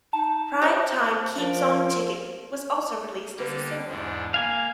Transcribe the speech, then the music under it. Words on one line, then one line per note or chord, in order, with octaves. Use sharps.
"Prime Time Keeps on Tickin'" was also released as a single.
D#4 A5
G4 C5 C#5 E5
F3 D4 A#4
D3 G3 A#3
E2 G#2 D4
A#3 F5 G#5